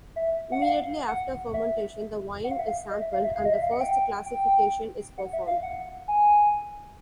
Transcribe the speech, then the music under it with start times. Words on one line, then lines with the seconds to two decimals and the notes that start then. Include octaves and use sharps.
Immediately after fermentation, the wine is sampled and the first classification is performed.
0.16 E5
0.52 F#5
0.62 F5
1.08 F#5
1.54 E5
2.44 F#5
2.51 F5
2.59 E5
2.67 F5
2.90 D#5
3.01 E5
3.13 F5
3.24 E5
3.35 F5
3.45 D#5
3.54 E5
3.62 F5
3.72 F#5
3.81 G5
4.26 G5
5.18 F#5
5.33 E5
5.47 F5
5.63 F#5
6.08 G#5